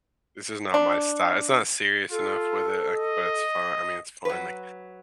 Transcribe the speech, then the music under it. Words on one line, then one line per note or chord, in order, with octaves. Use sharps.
this is not my sty It's not serious enough with it, I but it's fu I mean, it's fun, like
D4
F4 A4
D#5
F#3 B4